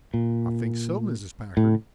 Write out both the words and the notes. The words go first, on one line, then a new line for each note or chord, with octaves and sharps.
"I think so, Mrs. Packard."
A#2
A2